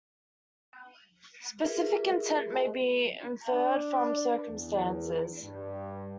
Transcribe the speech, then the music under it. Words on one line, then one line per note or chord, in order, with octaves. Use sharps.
Specific intent may be inferred from circumstances.
F4 G4 G#4 A#4 B4 E5
D4
E2
G2